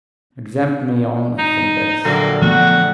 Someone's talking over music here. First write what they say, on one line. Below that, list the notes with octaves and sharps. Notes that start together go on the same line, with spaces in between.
Exempt me only from this!
D#4
A#1 D3 F#3 A#3
F3 A3 B3 F#4